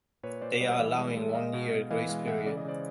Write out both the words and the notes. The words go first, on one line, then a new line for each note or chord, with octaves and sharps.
They are allowing a one-year grace period.
A#2 B4 C#5
A#2 C5 D5
G3 C#5 D#5
E3 D5 E5
G#3
G#3
E5
G#3 D#5 F5
B2
B2
E3 D#5 F5
G#3 D#5 F5
E3 E5 F#5
C#3 D5
D#5
C#3 C5 D5